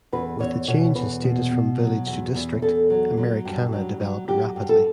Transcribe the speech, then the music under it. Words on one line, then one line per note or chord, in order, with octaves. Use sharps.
With the change in status from village to district, Americana developed rapidly.
E2 B4
E2 C#5
B2 C#5
E2 B4
B2
B2
F#3
E2
E2
E2 A4
F#3
F#3
G2
F#3
F#3
F#3 G4
G2
A4